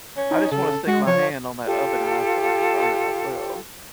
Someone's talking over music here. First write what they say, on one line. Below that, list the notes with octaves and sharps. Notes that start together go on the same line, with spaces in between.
I just wanna stick my hand on that oven eye so I can burn it myself.
C#4
D#4
C#3 A4
G#3 F#4
F3 C#5
F4 G4 A4